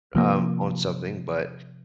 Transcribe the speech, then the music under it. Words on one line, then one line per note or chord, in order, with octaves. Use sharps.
um, on something, but,
C3 F3 A#3